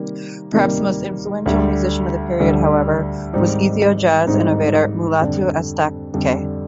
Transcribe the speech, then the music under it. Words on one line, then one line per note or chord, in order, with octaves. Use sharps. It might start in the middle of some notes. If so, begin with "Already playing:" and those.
Perhaps the most influential musician of the period, however, was Ethio-jazz innovator Mulatu Astatke.
Already playing: C3 D#3 G3 A#3
C3 D#3 G3 A#3
D2 D3 G3
D2 D3 G3
G#2 D#3 G3 C4 D#4
G#2 D#3 G3 C4 D#4
F2 D3 G3
F2 D3 G3